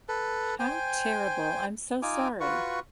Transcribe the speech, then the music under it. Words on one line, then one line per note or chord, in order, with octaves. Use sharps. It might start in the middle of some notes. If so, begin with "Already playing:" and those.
How terrible, I'm so sorry.
A4 B4
C5 G5 G#5
D#4 F4 G#5 D6
F4 F#4 B4 C#6